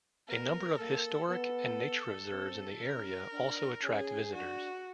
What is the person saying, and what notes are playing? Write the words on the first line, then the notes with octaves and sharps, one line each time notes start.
A number of historic and nature reserves in the area also attract visitors.
B3 A#4
A#3 A4
B3 A4
C4
C#4 A#4
D4
C#4 G#4
D4 F#4